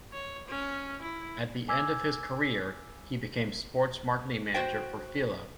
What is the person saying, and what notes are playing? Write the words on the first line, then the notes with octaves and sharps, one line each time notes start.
At the end of his career, he became sports marketing manager for Fila.
C#5
C#4
E4
G#5 D6 E6 G#6
F#4 C5 G5